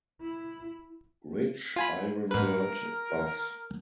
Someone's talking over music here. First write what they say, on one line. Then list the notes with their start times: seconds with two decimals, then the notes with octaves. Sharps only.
Rich Ironbird bass.
0.21 E4
1.76 F4 G#5 B5
2.31 G#2 A#4 B4